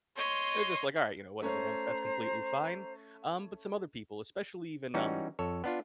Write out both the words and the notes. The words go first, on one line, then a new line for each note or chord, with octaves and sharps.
they're just like, "Alright, you know, whatever, man, that's completely fine," um, but some other people, especially even, um,
C#5 D#5 C6
A3 C#4 C5 C#5 A#5
E3 G3 C#4 D#4 F#4
F2 A4 C#5
B3 D4 F4